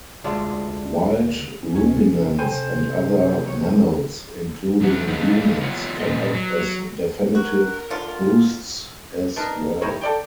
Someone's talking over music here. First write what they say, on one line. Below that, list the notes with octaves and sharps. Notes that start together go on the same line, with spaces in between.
Wild ruminants and other mammals, including humans, can act as definitive hosts as well.
D2 G#3 D4 F4
D2 C#4
C3
C3 A4 C5 G5 G#5
D#2 F#3 C#5
F3 B3 B4 F#5
D#4 G#4 B4 C#5 D#5 F5
B3 F4 C#5 F#5
A#2 D3 C#4 C5 D#5
F#3
F#4 A#4
D3 F4
B3 D4 D#4 A#4
G3 D#4 E4 C#5
A4 D5 G5